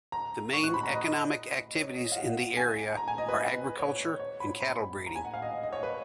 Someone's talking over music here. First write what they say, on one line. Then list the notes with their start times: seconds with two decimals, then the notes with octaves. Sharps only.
The main economic activities in the area are agriculture and cattle breeding.
0.12 A#5
0.53 C#6
0.63 F#6
0.74 B5
0.83 A#5
0.93 D#5
1.75 C#5
1.96 D#5
2.12 F5
2.16 F#5
2.57 G#5
2.97 A#5
3.08 G#5
3.18 D#5
3.28 B4
3.79 C#5
4.20 C#5
4.40 B5
4.61 B5
5.06 A#5
5.15 G#5
5.25 F#5
5.34 F5
5.42 D#5
5.63 D#5
5.73 C#5
5.83 B4